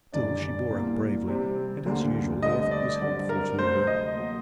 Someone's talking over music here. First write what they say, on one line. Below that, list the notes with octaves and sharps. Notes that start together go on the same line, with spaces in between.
Still she bore up bravely, and as usual the effort was helpful to her.
F#1 F#2 D3 G3 D4 D5
C2 A#2 G3 A#3
C3 G3 C4
D2 D3 G3 A#3 F#4
G2 D3 A3 C4 D#5
D5
G2 D3 F#3 C4 D5
A#4
D2 C3 F#3 A3 C5
D#5
F#3 A#3